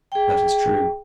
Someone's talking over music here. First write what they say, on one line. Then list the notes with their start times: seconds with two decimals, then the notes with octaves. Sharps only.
That is true.
0.12 G#4 G5